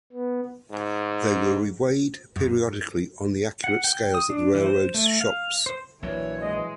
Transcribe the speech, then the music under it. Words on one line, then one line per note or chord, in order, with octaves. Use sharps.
They were reweighed periodically on accurate scales at the railroad's shops.
B3
G#2
F#2
F#5
G5
D#6
D4
E3
C5
A3
F5
C5
A#1 E3 F#3 C#5
G#3 D#5